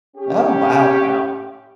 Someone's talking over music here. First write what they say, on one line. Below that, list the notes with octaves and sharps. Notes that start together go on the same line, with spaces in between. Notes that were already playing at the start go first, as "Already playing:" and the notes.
Oh, wow, wow.
C#4 G4